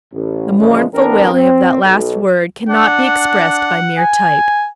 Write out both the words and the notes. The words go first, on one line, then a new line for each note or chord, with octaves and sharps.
The mournful wailing of that last word cannot be expressed by mere type.
A1
A#2 C#3 E3 F3 G#3 C#4
A1 E2 B3 C4 D4 A#4
C4
B1
D4 F#5
G#5